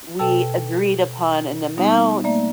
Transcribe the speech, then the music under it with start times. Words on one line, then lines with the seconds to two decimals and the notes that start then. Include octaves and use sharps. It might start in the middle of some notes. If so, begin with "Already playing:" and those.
We agreed upon an amount.
0.19 B2 A4 G5 A5 E6
1.77 G3 B3 D#4
2.24 A3 A#3 D5 E5